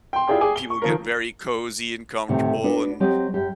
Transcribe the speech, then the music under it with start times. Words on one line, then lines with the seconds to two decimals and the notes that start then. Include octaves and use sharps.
people get very cozy, and comfortable, and
0.13 G5 C6
0.28 E4 F4 G4 G#4 D5 G5
0.41 G#4 G5 G#5 D6
0.56 G7
0.70 C#6
0.82 D#3 F3 A#4
2.28 D2 A2 C3 D#3 A3
2.64 B3 D4 F#4 B4
3.00 F#3 C4 G4 D#5
3.34 F#2 G4